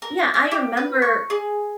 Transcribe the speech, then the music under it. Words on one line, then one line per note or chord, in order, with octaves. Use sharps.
Yeah. I remember
A#4
F6
G4
B4
C#6
G#4